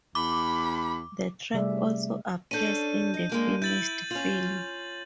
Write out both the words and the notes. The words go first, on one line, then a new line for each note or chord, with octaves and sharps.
The track also appears in the finished film.
E2 B5 D6
C3 G3 A3 G#4 D5 E5
C#4 D4 A4 G6 D#7
D#5
G#3 A#3 D4
E4 G6 A6 F#7
C#4 F4 F#7